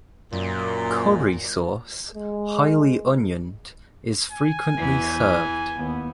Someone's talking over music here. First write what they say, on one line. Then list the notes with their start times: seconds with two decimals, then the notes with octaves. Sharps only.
Curry sauce, highly onioned, is frequently served.
0.33 F#2 A#2
2.15 G#3
4.32 G#5
4.77 E2 E3
5.77 D#2 B3